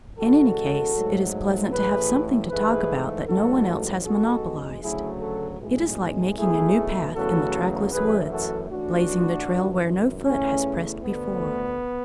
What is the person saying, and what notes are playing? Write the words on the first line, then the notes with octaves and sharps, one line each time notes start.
In any case, it is pleasant to have something to talk about that no one else has monopolized; it is like making a new path in the trackless woods, blazing the trail where no foot has pressed before.
E2 C#3 G#3 F#4 A4
G#2 F#3 A3
A1 A2 E3 G#4 B4
G#2 E3 A3 G#4 B4
A1 G#2 F#3 A3 F#4 A4
B1 B2 G#3 F#4 A4
D2 C#3 F#3 A3 E4 G#4
F#4 A4
B1 A2 G#3
B1 B2 A3 E4 G#4
E2 C#3 F#3 A3 F#4 A4
F#2 E3 A3 G#4 B4
F#4 A4
A1 A2 E3 D4 F#4
G#1 F#2 E3
E2 C#3 E3 A3 C#4
D2 D3 A3 B3